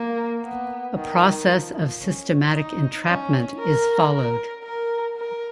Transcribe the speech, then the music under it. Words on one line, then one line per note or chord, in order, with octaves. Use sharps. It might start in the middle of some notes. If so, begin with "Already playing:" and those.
A process of "systematic entrapment" is followed.
Already playing: A#3
B3
D#3
F3
C#4
D#4
C#4
A#4
A#4
A#4
A#4